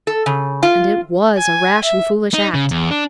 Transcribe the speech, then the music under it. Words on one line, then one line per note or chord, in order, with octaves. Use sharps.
And it WAS a rash and foolish act.
A4
C#3
F4
G#5
E5
D#4
C#3
E2
D4